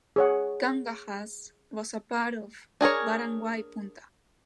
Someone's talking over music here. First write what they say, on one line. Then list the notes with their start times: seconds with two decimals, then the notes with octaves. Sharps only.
Kanghagas was a part of barangay Punta.
0.16 G#4 C#5 F#5
2.81 D4 G#4 A#4 C#5